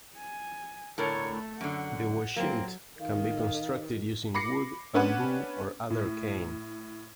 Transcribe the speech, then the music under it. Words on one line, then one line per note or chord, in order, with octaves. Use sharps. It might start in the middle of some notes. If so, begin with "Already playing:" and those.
The "washint" can be constructed using wood, bamboo, or other cane.
G#5
A2 D3 A4 A#4 C#5
A3
F#2 D3 F#5
F#3 A#3 C4
D#3 F5
B5 D6 A#6 C7 C#7
B3 C#4 D4 B4 F#5
A2